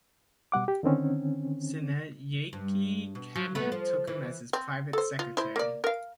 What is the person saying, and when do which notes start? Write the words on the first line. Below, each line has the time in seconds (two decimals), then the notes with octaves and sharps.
Senanayake Cabinet took him as his Private Secretary.
0.52 B2 G3 F#5 D6
0.68 G4
0.83 D3 D#3 C4 C#4
2.53 G2
3.15 B2
3.35 F#3
3.55 A3 B3 B4
3.72 F3
4.07 E3
4.53 C4
4.93 A4 C5
5.19 F4
5.37 E4 C5
5.56 A#3 D5
5.84 A#4 F5